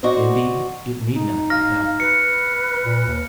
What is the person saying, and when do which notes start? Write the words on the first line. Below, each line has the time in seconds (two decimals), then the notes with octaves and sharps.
Indeed it need not be doubted.
0.03 F#4 C5 D5 D#5
1.15 D#4
1.50 F5 F6 A#6
2.00 B4 C#7
2.86 A#2
3.06 D#2